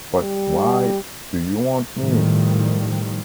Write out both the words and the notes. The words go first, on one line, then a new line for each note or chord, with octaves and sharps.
But why do you want me?
G3
A2 D#3 F3 G3